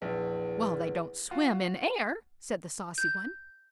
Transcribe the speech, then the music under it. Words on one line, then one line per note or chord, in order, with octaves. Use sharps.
"Well, they don't swim in air," said the saucy one.
A#1 E2
F4 F#4
G6